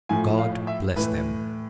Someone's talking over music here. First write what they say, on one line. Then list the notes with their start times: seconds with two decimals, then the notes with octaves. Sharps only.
God bless them!
0.09 A2 F3 A3 G#5
0.38 F5
0.67 E5
0.96 A2 E3 A3 B4